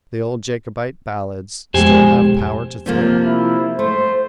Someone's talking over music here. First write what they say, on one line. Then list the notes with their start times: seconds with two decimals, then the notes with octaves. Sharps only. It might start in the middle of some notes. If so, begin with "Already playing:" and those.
The old Jacobite ballads still have power to thrill.
1.74 B1 F2 G#3 G4 C5 G#5
2.86 C3 F3 A#3
3.24 E4
3.79 A3 C5